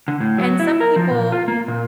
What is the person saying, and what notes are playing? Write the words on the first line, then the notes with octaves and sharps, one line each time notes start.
And some people
D3
A2
F#3
E4
A#4
F3
A#2
F4
A#3
A#2